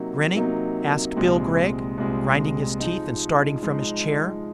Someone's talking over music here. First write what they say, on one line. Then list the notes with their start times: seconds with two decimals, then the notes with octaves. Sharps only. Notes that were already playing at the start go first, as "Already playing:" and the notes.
"Grinning?" asked Bill Gregg, grinding his teeth and starting from his chair.
Already playing: C3 F#3 A#3 D#4
0.36 C3 F#3 A#3 D#4
1.16 C2 A#2 G#3 C4
1.98 C2 A#2 G#3 C4
2.79 F3 G#3 D#4
3.61 F3 G#3 D#4